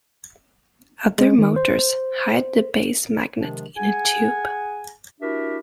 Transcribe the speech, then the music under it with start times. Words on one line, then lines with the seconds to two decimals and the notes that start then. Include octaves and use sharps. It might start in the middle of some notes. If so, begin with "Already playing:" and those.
Other motors hide the base magnet in a tube.
1.18 G#3
1.38 D#3
1.56 C5
3.38 C3 D#3 F3 G#3 D4
3.76 G#4 F#5 G#5
5.21 D4 E4 F#4 G4 A#4 E5